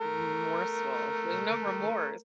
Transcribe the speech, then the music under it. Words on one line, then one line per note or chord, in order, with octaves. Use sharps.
Remorseful, there's no remorse.
A3 A#4